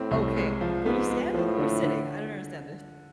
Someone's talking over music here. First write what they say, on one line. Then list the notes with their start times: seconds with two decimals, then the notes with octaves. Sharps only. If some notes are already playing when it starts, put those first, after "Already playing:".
okay, w were you standing or sitting? I don't understand this.
Already playing: A2 C4
0.11 C2
0.36 G#3
0.61 F3
0.85 G#2 B3
1.10 G#3
1.34 A2 F3
1.59 D3
1.83 D3